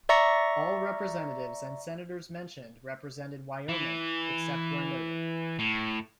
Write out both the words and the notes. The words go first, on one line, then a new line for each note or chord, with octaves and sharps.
All representatives and senators mentioned represented Wyoming except where noted.
D5 E5 A#5 C#6 A#6 C#7
E3
A2